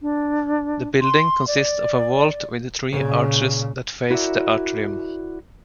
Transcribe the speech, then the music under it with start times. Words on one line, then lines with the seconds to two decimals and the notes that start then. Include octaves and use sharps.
The building consists of a vault with three arches that face the atrium.
0.02 D4
1.01 C6
1.48 D5
2.92 A#2 C#3
4.10 E4 F#4 A#4 C#5 D5 E5